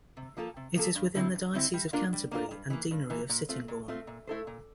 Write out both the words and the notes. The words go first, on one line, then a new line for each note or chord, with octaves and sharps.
It is within the diocese of Canterbury and deanery of Sittingbourne.
C3
F3 A#3 F4 A4
C3
F3 A#3 F4 A4
G2
D3 G3 C4 E4
G2
D3 G3 C4 E4
G3
A#3 D4 F4 A#4
G3
A#3 D4 F4 A#4
G2
E3 A#3
G2
E3 A#3
A#2
A3 C4 F4
A#2
A3 C4 F4
A#2
A3 E4 A4 C5
A#2